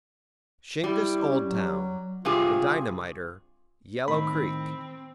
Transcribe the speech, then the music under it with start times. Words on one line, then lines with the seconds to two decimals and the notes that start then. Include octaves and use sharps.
Shingis Old Town--The dynamiter--Yellow Creek.
0.84 G3 E4
1.28 C#4
1.48 F#3
2.25 G2 C3 F4 G#4
4.08 A2 D#3 C4 B5